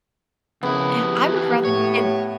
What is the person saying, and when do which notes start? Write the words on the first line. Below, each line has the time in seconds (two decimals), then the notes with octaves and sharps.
I I would rather and
0.63 F2 C#3 B3 E4
1.02 G4
1.33 F2 E3
1.65 A2 C#5